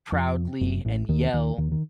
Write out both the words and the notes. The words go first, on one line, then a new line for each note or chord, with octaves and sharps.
proudly and yell,
F2
F#1 F#2
A1 A2
D#2 D#3
D#2 D#3
D#2 D#3
D#3